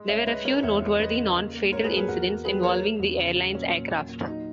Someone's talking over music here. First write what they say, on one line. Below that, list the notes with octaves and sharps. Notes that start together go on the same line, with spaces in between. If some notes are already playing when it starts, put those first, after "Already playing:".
There were a few noteworthy non-fatal incidents involving the airline's aircraft.
Already playing: G#3
C#2 C#5 E5
G#3 B4 D#5
C#2 A#4 C#5
E2 C#5 E5
G#3
G#3 B4 D#5
C#3
A#3
A#3
G#2 A#4 C#5
G#4 B4
A#3
G#4 B4
E2 F#4 A#4
A#3
F#3 G#4 B4
A#3 A#4 C#5
A#3
E2
C#3
F#3
A#2 C#4
A#2
A#2
A#2
F#3 D#4